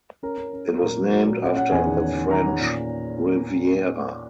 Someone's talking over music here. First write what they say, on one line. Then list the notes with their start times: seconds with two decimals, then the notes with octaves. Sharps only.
It was named after the French Riviera.
0.23 C#4 A#4
0.38 C#4
0.53 C#4
0.67 F#3
0.82 A#2 A#4
0.97 F#3
1.12 F#3
1.27 A#2
1.42 C#4 F#5
1.56 C#4 F#5
1.72 E2 G#5
1.87 D#3
2.01 C#4
2.16 D#3
2.31 D#3 A#5
2.46 C#4
2.60 A#2